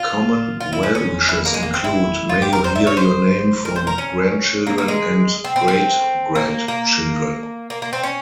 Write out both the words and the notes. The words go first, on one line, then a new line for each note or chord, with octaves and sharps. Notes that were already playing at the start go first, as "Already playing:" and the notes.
Common well-wishes include May you hear your name from grandchildren and great-grandchildren!
Already playing: F4
F4
E4
C#4
C#4
E4
A#3
G#3
A#3
C4
E4
F4
G4
A#4
C5
E5
C#5
C5
A#4
C5
A#4
C#4
A#3
A#3
G#3
C4
C4
C4
A#3
A#3
A#3
A#3
C4
C#4